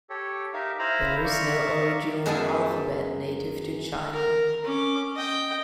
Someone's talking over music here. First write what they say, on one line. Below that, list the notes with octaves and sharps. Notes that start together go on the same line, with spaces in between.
There is no original alphabet native to China.
G4 A4 C#5
D#4 G4 A#4 E5 F5
E4 C5 F5 A#5 B5
D5 E5 F5 A#5 C#6
F#2 G#3 B3 E5 G#5 A5
A#4
C#4 D6
D#5 G5